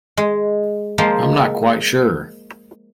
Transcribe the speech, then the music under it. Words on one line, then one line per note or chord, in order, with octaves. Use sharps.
I'm not quite sure.
G#3
F3 G#3 A#3 C5